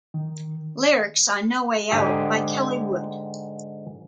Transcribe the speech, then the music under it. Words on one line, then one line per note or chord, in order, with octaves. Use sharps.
Lyrics on "No Way Out" by Kelly Wood.
D#3
G#2 D3 G4 G#4 G#5